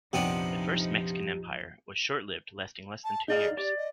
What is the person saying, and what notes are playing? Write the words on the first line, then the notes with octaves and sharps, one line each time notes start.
The First Mexican Empire was short-lived, lasting less than two years.
A#1 F2 C3 F3 B3 D4 D#4 G4
A5
D#4 G#4 D5 F5
G4 D5
D#5